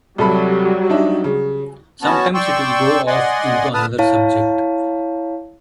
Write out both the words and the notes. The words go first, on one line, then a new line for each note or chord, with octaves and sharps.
Sometimes it’ll go off into another subject.
C2 F#3 G3 A4 B5
D4 D#4 E5
C#3
B3 C#4 F#4 A5
D5 G5 C6 C#6 E6
D5 D#5 F#5 G#5 C6
D3 B4 A5 D#6 F6
E4 C#5 F5 A5